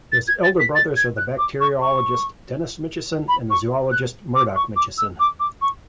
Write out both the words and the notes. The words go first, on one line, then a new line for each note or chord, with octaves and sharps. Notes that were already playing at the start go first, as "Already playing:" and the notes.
His elder brothers are the bacteriologist Denis Mitchison and the zoologist Murdoch Mitchison.
A6
G#6
A6
B6
A6
G#6
F#6
D6
C#6
C#6
B5
C#6
F#6
D6
C#6
D6
E6
D6
D6
C#6